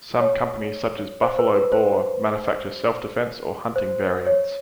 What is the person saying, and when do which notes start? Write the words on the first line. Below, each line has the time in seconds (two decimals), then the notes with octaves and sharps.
Some companies such as Buffalo Bore manufacture self-defense or hunting variants.
0.21 C#5
1.22 C5
1.39 B4
1.56 B4
1.72 C5
3.76 C5
4.27 C#5